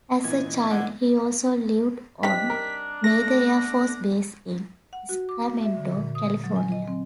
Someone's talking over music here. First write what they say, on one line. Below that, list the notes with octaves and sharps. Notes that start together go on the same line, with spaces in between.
As a child he also lived on Mather Air Force Base in Sacramento, California.
A#2 E3 D#5 G#6
D3 F#5
G3 C4 D4 D#4 B6
A#4
A3 A#6
F#5
F#4
D6
E5
D3
A#2
D#6
F#3
G#5
D#5
C4